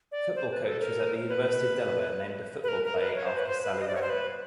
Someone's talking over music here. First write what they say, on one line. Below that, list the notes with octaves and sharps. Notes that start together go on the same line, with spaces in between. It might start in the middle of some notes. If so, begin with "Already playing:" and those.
Football coaches at the University of Delaware named a football play after Sally Rand.
D5
C5
B4
A4
A#4
B4
B4
A#4
A#4
B4
C#5
C5
B4
C5
B4
D#5
D5
C#5
C5
B4